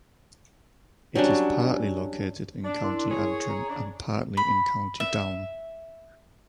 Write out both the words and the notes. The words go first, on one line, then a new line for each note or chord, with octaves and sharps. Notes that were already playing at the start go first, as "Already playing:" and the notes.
It is partly located in County Antrim and partly in County Down.
F#3 G3 C#4 D4
D4
E4 A#4 C6
G#4 C#5
A#5
C#3 D4
B5
E5